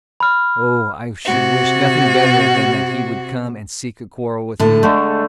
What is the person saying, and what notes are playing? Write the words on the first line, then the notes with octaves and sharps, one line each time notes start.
"Oh, I should wish nothing better than that he would come and seek a quarrel with me."
B5 F6
C3 F#4
A2 D3 A5
D3 G#3 A3